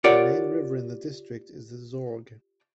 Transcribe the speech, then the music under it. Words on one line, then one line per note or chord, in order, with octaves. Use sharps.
The main river in the district is the Zorge.
F4 G4 A#4 C#5 D5 F#5